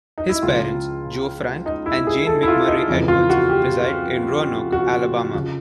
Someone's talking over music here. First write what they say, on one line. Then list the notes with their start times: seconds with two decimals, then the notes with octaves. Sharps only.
His parents, Joe Frank and Jane McMurray Edwards, reside in Roanoke, Alabama.
0.18 D#4
0.29 E4
0.42 C#2 C#3 F3 F4
1.66 D#4
1.86 E4
2.07 G#4
2.27 A4
2.43 E4
2.48 F4
2.67 D#4
2.88 F2 C#3 E3
3.08 F4
3.30 F#4
3.49 G4
4.72 F#4
5.34 C#3 F3